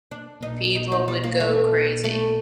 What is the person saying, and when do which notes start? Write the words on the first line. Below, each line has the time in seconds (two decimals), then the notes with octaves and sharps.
People would go crazy.
0.11 D4
0.43 D#4
0.75 D#4
0.92 D#4
1.08 G3
1.24 A#3
1.40 A3
2.04 A3